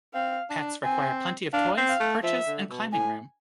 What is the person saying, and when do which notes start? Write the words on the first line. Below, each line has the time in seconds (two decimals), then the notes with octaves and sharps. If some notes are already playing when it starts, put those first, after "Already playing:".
Pets require plenty of toys, perches, and climbing room.
0.14 C4 F5
0.50 D4
0.84 C4 G#5
1.53 D4 F5
1.77 C4
1.89 F5
2.00 A3
2.23 F3 E5
2.47 D3
2.70 B2
2.93 A2 G#5